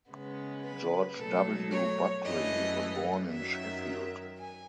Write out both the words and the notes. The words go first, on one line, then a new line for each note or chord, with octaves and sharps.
George W. Buckley was born in Sheffield.
C#3 G#3 B3
B4
B2 F#3 A3 A4
C#5
F#2 E3 A3 D#5
F#2 D#3 F#3 E5
G#5